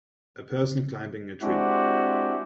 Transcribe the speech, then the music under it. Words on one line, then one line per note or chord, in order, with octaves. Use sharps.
A person climbing a tree.
G#3 C4 D4 E4 F#4 G4